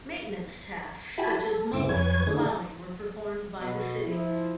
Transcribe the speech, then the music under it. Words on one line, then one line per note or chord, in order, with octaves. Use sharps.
Maintenance tasks such as mowing and plowing were performed by the city.
E4 F#4 G4 G#5 A5 B5
A4
G2 C#3 C4 E4 D6 E6
F2 B4 C#5 G#5 G#6
D3 D#3 A3 D4 E4 G#4
B2
F3 E4